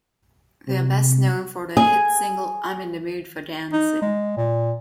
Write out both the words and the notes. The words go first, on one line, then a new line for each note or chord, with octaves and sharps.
They are best known for their hit single "I'm In the Mood for Dancing".
C3
G#4
D#4
G#3
A#2